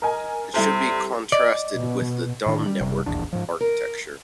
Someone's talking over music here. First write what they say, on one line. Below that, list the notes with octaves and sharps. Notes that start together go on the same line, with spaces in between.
It should be contrasted with the dumb network architecture.
A#4 D#5 G#5
C3 G3 E4 A4
D5 D#5
B2
A2 D#3 D4
G3
F#1 C3 G3
D1 A#1 E2 D4
G#2 F3
A#4